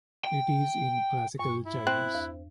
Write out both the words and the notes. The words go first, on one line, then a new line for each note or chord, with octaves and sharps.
It is in classical Chinese.
G5
G2 C#6
E4
C4 F#6
E2